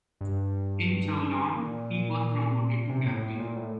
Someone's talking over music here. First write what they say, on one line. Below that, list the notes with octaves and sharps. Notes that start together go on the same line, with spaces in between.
In Toulon he was promoted to Captain.
G2
A#2
C3
A2
A2
A#2
A2